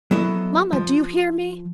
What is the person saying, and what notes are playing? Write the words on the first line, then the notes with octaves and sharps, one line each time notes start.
Mamma! do you hear me?
F#3 B3 E4 A4 D#5
F3